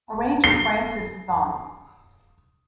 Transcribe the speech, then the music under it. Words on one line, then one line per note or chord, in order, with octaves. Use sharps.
Arranger Frances Thumm.
C7 G7